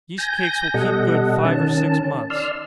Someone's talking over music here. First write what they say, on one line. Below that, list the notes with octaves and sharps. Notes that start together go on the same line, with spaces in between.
Yeast cakes will keep good five or six months.
G#5 G6 A#6
B2 G3 A4 D#5 F#5
D#3 C#4 A5
D5 C6 E6 F6